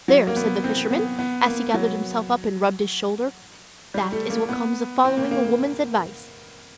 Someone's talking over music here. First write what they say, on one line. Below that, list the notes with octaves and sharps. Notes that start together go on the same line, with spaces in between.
"There!" said the fisherman, as he gathered himself up and rubbed his shoulder, "that is what comes of following a woman's advice!"
F#3
A#3
B3
C4
B3
B3
A#3
F#3
G3
A3
A#3
B3
C4
A#3
A#3
A#3